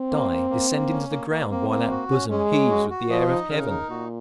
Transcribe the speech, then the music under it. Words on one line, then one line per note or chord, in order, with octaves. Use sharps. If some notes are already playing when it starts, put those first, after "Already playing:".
Die, descend into the ground, while that bosom heaves with the air of heaven?
Already playing: C4
A#3
A#3
A#3
A#3
C#4
A#3
A#3
A#3 C4
A#3
F#4
C#4
G#3 C#4
C#4
F#4
F#4
F3 D#5
D#4
C#3 A#4
D#4
A#2 F#4